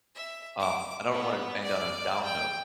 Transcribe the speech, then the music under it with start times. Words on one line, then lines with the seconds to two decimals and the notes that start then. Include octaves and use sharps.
Um, I don't wanna end on a down note,
0.15 E5
0.59 D6
1.10 B3
1.64 D5
2.24 G5